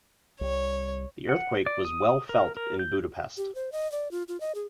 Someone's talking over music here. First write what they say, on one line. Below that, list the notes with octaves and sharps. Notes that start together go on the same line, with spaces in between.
The earthquake was well felt in Budapest.
C2 G3 C#5
F#5
D5
D#6
A#4
A#4
G6
G4
C5
D#5
D5
F4
F4
D#5
G#4